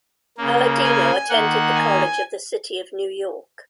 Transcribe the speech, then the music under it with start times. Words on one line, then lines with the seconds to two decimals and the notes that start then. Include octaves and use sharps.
Paladino attended the College of the City of New York.
0.37 C#3 A#3
0.84 G#5
1.29 D#3 A#3 F#5
1.75 G#5